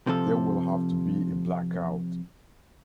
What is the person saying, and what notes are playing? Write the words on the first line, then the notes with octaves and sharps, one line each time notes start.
There will have to be a blackout.
C3 F3 A4